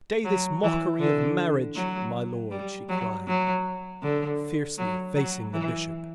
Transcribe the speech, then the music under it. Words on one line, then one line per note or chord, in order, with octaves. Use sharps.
"Stay this mockery of marriage, my lord," she cried, fiercely facing the Bishop.
F#3
E3
D3
F#3
G3
F#3
F#3
D3
F#3
F#3
E3